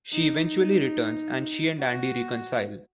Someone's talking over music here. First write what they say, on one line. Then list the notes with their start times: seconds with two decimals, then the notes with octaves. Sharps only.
She eventually returns and she and Andy reconcile.
0.13 D#4
1.80 F#4